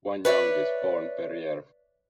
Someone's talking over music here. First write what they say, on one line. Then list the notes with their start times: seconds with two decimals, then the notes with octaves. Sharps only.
One young is born per year.
0.25 B4 C#5 D5 E5